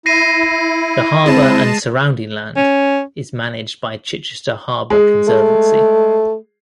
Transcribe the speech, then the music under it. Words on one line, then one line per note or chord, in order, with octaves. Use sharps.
The harbour and surrounding land is managed by Chichester Harbour Conservancy.
E4 A#6 C7 D#7
G#3 C4 A5
C#4
G#3
A3